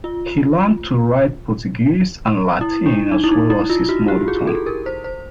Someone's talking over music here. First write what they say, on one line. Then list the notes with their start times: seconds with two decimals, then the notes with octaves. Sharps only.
He learned to write Portuguese and Latin as well as his mother tongue.
0.04 F4
2.61 E4
2.86 D4
3.12 D#4
3.24 E4
3.32 D#4
3.50 E4
3.70 F4
3.89 F#4
4.08 G4
4.28 G#4
4.47 A4
4.66 A#4
4.86 C5
5.04 C5